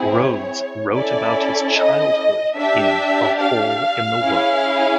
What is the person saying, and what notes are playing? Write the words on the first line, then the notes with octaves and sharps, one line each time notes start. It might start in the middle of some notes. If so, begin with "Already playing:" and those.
Rhodes wrote about his childhood in "A Hole in the World".
Already playing: C4 E4 G#4
C#5
C#4 E4 A4 D5
D#5
D4 G4 E5
F5
C#4 E4 G#4